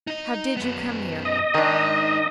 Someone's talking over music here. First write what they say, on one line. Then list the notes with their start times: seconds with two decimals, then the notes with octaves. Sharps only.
How did you come here?
0.07 D#4 D#5
0.57 F#2 B3
1.25 D#5
1.55 D#3 D4 D#4 G#5